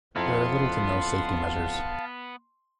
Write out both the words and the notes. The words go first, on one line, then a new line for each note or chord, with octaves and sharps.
There are little to no safety measures.
F2 B3 E4 F5 A5 A#5 C6